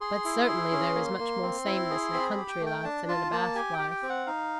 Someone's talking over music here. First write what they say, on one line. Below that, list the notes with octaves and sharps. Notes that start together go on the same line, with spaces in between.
But certainly there is much more sameness in a country life than in a Bath life.
G#4 C6
E4
G#4
C#4
A#3
A#3
C4
E4
G#4
C4 B5
B5
G4
G5
A3
G5
D4 A5
F4 A5
A#3 A5
G4 G#5
G5
G4
G5
C4
F#5
D#4 F5